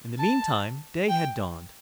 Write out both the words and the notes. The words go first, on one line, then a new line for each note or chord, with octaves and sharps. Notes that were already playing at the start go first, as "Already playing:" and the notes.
In the meantime day had dawned.
A5
G5